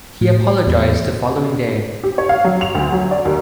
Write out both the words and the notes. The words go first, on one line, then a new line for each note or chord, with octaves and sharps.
He apologised the following day.
A2
E2
G4
C#5
F5
F#3
F7
D2
F#3
D5
D#2